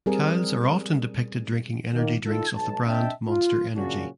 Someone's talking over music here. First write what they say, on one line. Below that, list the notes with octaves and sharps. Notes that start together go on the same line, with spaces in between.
Kyles are often depicted drinking energy drinks of the brand Monster Energy.
G3 C4 G#4 A#4
D#3 A#3
D#3 F4 A4
B1 A5
C4 D4 D#5 E5 G5 A5
F4
A#2 C#3 F#3 C#4 D4 F#4